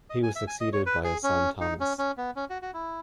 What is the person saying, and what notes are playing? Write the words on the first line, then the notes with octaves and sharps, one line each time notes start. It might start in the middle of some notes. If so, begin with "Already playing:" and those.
He was succeeded by his son Thomas.
D#5
G#5
E5
G#5
D#5
C#5
B4
G#4
C#4
D#4
C#4
C#4
B3
C#4
F#4
F#4
E4